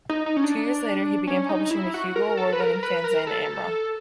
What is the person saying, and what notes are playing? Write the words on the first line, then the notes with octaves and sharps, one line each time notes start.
Two years later, he began publishing the Hugo Award-winning fanzine "Amra".
D#4
D#4
C#4
D4
C#4
D#4
E4
F#4
A#4
A4
B4
A#4
B4
A#4
A4